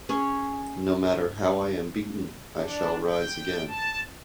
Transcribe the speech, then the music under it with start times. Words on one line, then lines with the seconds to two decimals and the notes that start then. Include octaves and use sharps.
No matter how I am beaten, I shall rise again.
0.09 C#4 G#4 C#5
2.57 D4
3.04 G5
3.67 A5